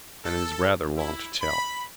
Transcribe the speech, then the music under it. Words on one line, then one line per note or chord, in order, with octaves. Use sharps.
And it is rather long to tell.
A4
E4
B5